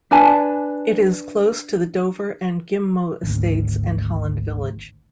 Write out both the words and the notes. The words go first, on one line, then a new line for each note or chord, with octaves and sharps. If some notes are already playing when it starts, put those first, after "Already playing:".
It is close to the Dover and Ghim Moh estates, and Holland Village.
D4 B4 G#5 A5
G#1 D2